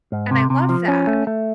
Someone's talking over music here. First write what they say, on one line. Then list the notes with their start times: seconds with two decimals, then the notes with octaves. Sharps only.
And I love that.
0.12 G#2
0.31 C3
0.50 C3
0.69 F3
0.88 C#4
1.07 A3
1.27 A3